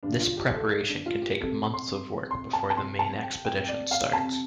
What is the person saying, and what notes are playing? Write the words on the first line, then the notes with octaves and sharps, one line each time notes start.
This preparation can take months of work before the main expedition starts.
G2 D3 D4
F4
G4
A4
D4
F4
G4
F2 C3 A4
C6
C6
A5
A5
F2 C3 C6
A5
G5
G5
D5
F5
F2 C3 A5